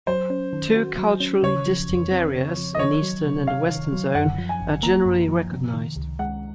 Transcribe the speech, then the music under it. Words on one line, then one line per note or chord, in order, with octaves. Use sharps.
Two culturally distinct areas, an eastern and a western zone are generally recognised.
F#3 C5
C#4
D#3
F#4
F#3
C#4
C#3 C#5
F3
F2
C4
C#3
F3
D#5
D#3 C#5
F#3
C3
C3 F5
D#3
F#3
F#2 F#5
F3
G#5
G#1
A#3 A#5
F#2
F3
C3
D#3
C#2
G#3 F#5